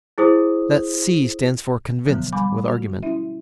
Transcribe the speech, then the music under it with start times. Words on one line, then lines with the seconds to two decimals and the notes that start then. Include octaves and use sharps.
That 'C' stands for 'convinced,' with argument.
0.18 E4 G#4 C5 D#6
2.05 B2 D3 F3 F#3 B3
2.33 G3 G#5 B5 D6
2.68 F#4
3.03 C#4 E4 E5